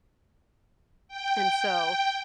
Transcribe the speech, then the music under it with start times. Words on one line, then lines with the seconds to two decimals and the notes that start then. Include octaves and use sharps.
and so
1.08 G5